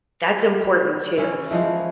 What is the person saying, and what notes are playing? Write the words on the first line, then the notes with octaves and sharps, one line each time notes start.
that's important too.
E3 C#4 E4
E3 F3 G#3